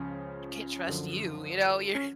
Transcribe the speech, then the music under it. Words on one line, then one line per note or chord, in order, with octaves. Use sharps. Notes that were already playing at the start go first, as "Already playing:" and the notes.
can't trust you." you know? You're
Already playing: C#2 C#3 F3 C#4
F#2 D3 F3
C#4